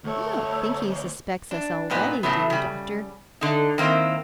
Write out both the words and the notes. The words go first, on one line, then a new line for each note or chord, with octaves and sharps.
"You don't think he suspects us already, do you, doctor?"
D2 A3 C#5
D4
G2 A#2 B3 D#4
A2 C#3 F#3 A3 B3
C#3 G3
D3 D#4
D#3 A#3 C4 E4